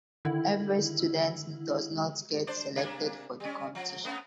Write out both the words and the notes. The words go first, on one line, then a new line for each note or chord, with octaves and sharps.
Every students does not get selected for the competition.
D3 D#3 E4
D4 C5 D5
C3 A#3 D4
G3 C#4
F3
A3 B3 C#4